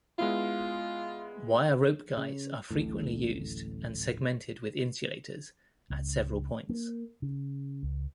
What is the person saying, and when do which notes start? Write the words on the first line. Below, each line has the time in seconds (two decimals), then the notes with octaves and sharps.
Wire rope guys are frequently used and segmented with insulators at several points.
0.19 G#3 B3 E4 F4
2.17 C#3
2.71 D1 A1 A2
5.90 C#2
6.69 A#3
7.22 C#3
7.83 C#2